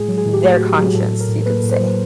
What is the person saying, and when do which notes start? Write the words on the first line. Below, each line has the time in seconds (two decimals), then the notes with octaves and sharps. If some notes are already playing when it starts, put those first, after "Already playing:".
their conscience, you could say.
Already playing: A2 G#3 G#4
0.08 F#3
0.18 G#4
0.25 A2
0.33 G4
0.43 A3 G#4
0.55 F#4
0.59 A2
0.69 G4
0.78 F#3 G#4
0.94 A2 A4
1.12 F#3
1.20 A#4
1.28 A2
1.46 A#3 B4
1.63 A2
1.71 C5
1.80 F#3